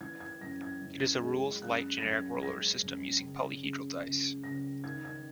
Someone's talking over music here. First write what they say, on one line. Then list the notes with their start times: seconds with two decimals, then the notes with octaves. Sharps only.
It is a rules light generic roll-over system using polyhedral dice.
0.01 E3 G#6
0.20 G#6
0.41 F#2 A#6
0.61 G#6
0.82 F#2
1.22 G#3
1.62 F#2 F#6
1.98 A#6
2.02 F#2 G#6
2.42 G#3 A#6
2.83 F#2
3.24 C#3
3.63 C#3
4.04 C#2
4.44 C#2 A#6
4.84 D#3 G#6
5.05 G#6